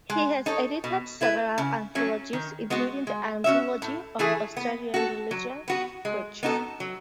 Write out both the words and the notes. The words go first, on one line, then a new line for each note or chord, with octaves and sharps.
He has edited several anthologies, including the "Anthology of Australian Religious Poetry".
G#3
D#4 A4 C#5
B2
A3 E4 B4
C#3
F#3 A3 C#4
D#3
G#3 B3 F#4
G#3
C#4 F#4 C#5 E5
A2
E3 A3 E4 G#4
B3
F#4 A4
F#3
B3 F#4 B4
G#3
B3 D#4 F#4 A4
F#3